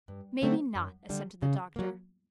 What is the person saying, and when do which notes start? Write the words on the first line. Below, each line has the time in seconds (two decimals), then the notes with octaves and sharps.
"Maybe not," assented the doctor.
0.08 G2
0.42 D3 F#3 A3 C4
0.75 F#2
1.09 D3 G3
1.42 C#3
1.76 F#3 A#3